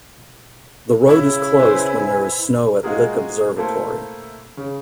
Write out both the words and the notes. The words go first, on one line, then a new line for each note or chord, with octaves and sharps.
The road is closed when there is snow at Lick Observatory.
C#3 E4
B4 C5 G#5
G#3 A#3 F4 F#4 G#4 A#4
A3 A#3 E4 A4 C5
C#3